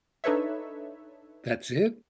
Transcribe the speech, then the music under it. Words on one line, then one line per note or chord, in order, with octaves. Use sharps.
That's it?
D4 D#4 A4 B4 C#5 E5